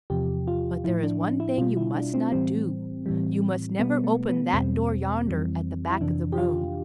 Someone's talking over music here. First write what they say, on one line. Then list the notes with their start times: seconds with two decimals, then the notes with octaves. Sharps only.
But there is one thing you must not do: you must never open that door yonder at the back of the room.
0.10 E2 C3 F3 G4
0.47 F4
0.84 A2 F3 E4
1.03 D4
1.21 D4
1.40 E4
1.58 B2 G3 F4
1.77 E4
1.95 D4
2.14 C4
2.32 A2 E3 G3 C4
3.06 A2 E3 G3
3.79 B2 G3 B3
4.04 A3
4.29 B3
4.53 E2 B2 G3 C4
5.27 F2 E3 G3
5.90 E4
6.01 F2 C3 E3 D4
6.32 G4
6.38 F4